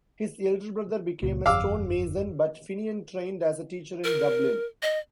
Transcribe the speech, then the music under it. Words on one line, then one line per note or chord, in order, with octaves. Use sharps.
His elder brother became a stonemason but Finian trained as a teacher in Dublin.
C#2 A#2
G1 F2 F5 D6 E6
A#4
D#5